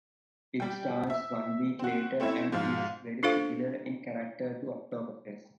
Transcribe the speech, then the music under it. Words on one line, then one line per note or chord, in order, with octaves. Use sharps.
It starts one week later and is very similar in character to Oktoberfest.
G3 G5
E5
C4 F#4
A3 C4 C#4 E4
G#2 F3 F5
D4 F4 A4 C5 F5